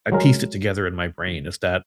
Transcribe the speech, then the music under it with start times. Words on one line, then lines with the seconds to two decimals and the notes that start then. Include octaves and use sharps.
I pieced it together in my brain is that,
0.12 F#3 G#3 A#4